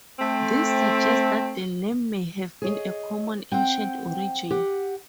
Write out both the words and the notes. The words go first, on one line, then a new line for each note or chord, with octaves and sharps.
This suggests that the name may have a common ancient origin.
A3 C4
G#4 C#5 D#5
C4 F#5 G5
G4 F#5